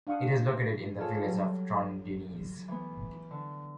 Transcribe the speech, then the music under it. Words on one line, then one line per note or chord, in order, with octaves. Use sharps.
It is located in the village of Trondenes.
D4 F5 F#5 C#6 D#6
F4 G#4 A4 C#5
F#3 G3
E3 B3
D3